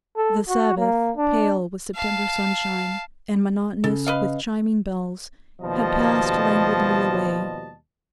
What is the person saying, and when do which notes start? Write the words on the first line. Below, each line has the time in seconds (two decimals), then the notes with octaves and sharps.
The Sabbath, pale with September sunshine, and monotonous with chiming bells, had passed languidly away.
0.16 A4
0.48 F#4
0.77 A#3
1.17 D4
1.95 F5 A5
3.84 C#3 A4
4.07 B4 D#5 F5
5.62 D#2 B2 F3 G3 D#5 A5